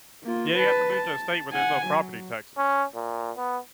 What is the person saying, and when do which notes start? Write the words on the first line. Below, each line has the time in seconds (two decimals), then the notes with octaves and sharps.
Yeah, you have to move to a state where there's no property taxes.
0.23 A#3 F4
0.57 B4 A5
0.93 A5
1.52 F#5 G#5
1.87 F#3
2.57 C#4
2.95 A#2
3.37 B3